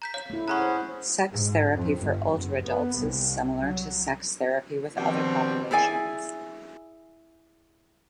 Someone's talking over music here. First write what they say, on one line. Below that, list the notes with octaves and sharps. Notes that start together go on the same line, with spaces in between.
Sex therapy for older adults is similar to sex therapy with other populations.
A#5 G6 B6
C#5 F5
A3 E4
C#4 G#4 F#5 A#5 B5 C#6 F#6
C5
G#2
F2
G1
F#1
B3
C2
F#3
G2 B2 D#3 F3 G3 C4
E4 G#4 D5 G#5